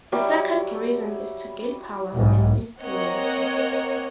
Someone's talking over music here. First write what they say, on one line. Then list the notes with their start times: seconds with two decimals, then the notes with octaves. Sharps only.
A second reason is to gain powers and influences.
0.12 F#3 G3 E4
2.13 B1 G#2
2.81 A#3 C4 A#4 C#5 D#5 F#5